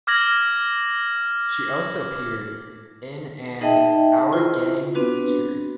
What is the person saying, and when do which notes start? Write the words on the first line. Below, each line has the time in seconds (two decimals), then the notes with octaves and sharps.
She also appeared in an "Our Gang" feature.
0.07 D6 F6 G#6 A#6 F#7
3.61 D#4 G#4 D#5 E5 G5 A5
4.32 E4 F4 C5
4.95 B3 C4 D4 F#4 B4